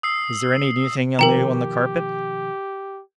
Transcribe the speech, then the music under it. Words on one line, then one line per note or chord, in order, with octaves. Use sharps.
"Is there any thing new on the carpet?"
D#6 E6 C7
B2 D#3 F3 G4 A#4 G5 A#5